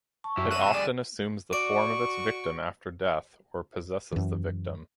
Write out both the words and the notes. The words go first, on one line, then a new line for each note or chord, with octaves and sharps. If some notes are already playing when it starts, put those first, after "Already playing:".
It often assumes the form of its victim after death or possesses the victim.
A5 C#6
F#2 E4 G4 E5
C3 F#4 E5 F#6 D#7 E7
D3 G3 G#4 D5
F#4 D5 C#6 D7
F#2 E3